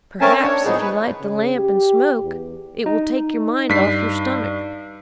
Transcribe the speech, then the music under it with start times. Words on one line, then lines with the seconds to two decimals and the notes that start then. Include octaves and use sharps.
"Perhaps if you light the lamp, and smoke, it will take your mind off your stomach."
0.21 A3 C4 C#4 A#4 G#5 A5
0.41 D4 C#5
0.65 A2 F3 B3 D#4 G#4
0.80 B4
1.20 C#3
1.56 G4
2.22 E2
2.86 D#4
3.69 G2 B6 C7